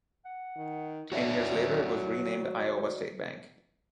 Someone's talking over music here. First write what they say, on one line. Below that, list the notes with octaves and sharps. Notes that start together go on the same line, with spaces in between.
Ten years later it was renamed Iowa State Bank.
F#5
D#3
F#4 C#5 D5 E5